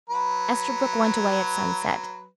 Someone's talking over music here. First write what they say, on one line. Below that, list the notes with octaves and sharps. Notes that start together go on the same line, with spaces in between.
Esterbrook went away at sunset.
F#3 B4